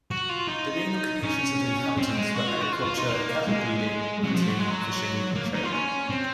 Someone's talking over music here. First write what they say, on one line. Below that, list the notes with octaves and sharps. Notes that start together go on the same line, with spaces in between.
The main occupations of the inhabitants were agriculture, cattle-breeding, hunting, fishing, and trade.
F#4
F4
D#4
C#4
C4
G#3
F#4
F4
F#4
F4
F4
D#4
A#3
G#3
F#3
F3
F#3
G#3
F#3
A#3
D#4
F4
C#4
C4